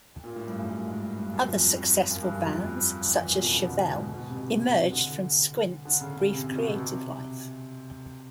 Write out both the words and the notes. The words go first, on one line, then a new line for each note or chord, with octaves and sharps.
Other successful bands, such as Chevelle, emerged from Squint's brief creative life.
A#2
A2
G2
F#2
G2
G#2
G2
F#2
F2
F#2
G2
F#2
F2
E2
F2
A#2
B2
C#3
D3
C#3
G#2
B2
B2
C3
D3
D3
C#3
C#3
C3
C3
B2
C3
C3